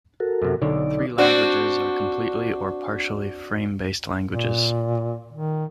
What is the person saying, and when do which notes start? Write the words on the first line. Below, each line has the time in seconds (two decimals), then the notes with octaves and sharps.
Three languages are completely or partially frame-based languages.
0.20 F#4 A4 A#4
0.42 F#2 C3
0.62 B1 D3 D#4 C#5 D5
1.18 C4 D4 F#4
4.27 A#2
5.33 D#3